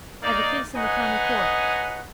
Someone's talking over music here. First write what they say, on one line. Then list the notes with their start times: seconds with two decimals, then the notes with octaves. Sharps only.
I've a case in the County Court.
0.23 A#3 D#4 D5
0.76 D#4 B4 C#5 D#5 F#5 G#5